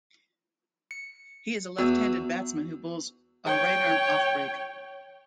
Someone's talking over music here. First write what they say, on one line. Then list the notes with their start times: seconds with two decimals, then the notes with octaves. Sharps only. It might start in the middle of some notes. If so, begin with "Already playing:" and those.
He is a left-handed batsman who bowls a right-arm off break.
0.91 C#7
1.79 E2 F#4 E6
3.46 C#5 G5